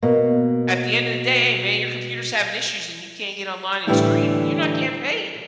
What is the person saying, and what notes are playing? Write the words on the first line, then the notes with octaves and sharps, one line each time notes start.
At the end of the day, "Hey man, your computer's having issues, and you can't get online and stream, you're not getting paid."
B2 A#3
A2 D3 E3 G3 A3 E4